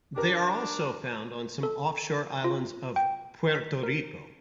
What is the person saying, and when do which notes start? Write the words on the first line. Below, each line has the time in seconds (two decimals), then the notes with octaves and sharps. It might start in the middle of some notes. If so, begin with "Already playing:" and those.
They are also found on some offshore islands of Puerto Rico.
0.16 D4 G4 A#4
1.63 A4
2.44 F4
2.96 G5
3.55 B6
3.83 A#4